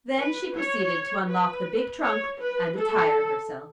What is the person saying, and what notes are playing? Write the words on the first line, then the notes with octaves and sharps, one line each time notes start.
Then she proceeded to unlock the big trunk, and attire herself.
B4
C#5
B4
C#5
B4
A4